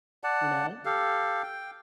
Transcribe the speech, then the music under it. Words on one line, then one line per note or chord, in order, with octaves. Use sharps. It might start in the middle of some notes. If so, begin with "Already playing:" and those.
You know?
D5 F#5 A5
G4 A4 F5
G5